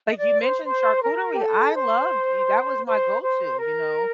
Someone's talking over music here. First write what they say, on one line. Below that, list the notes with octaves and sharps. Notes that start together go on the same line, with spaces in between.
like you mentioned charcuterie, I loved that was my go-to, you know,
D#5
D5
C5
C5
A#4
G4
A4
C5
C5
C5
A#4